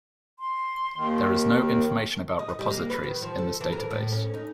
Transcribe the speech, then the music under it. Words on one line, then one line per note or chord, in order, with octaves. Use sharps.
There is no information about repositories in this database.
C6
D#2 D#3
A#4
D#5
G3
A#3
B4
D#3
F3
A4
E3
A#4
A2
C#4
D#4